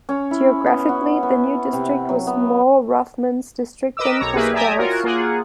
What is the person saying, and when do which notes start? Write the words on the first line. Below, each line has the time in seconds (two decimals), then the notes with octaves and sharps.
Geographically, the new district was more Rothman's district than Pascrell's.
0.09 C#4
0.31 E4
0.66 B3
0.89 F#4
1.23 B3
1.73 C3
2.09 F#3
2.27 B3
3.97 A#4 B4 D#5 D6 E6
4.19 B1 C#5 A#5
4.35 A#3 E4 G4 G#4 A#4 B4
4.53 D5 E5 G5 G#5 A#5 D#6
4.76 F4 F#4 A#4 C#5
5.04 A#3 F4 G#4 F#5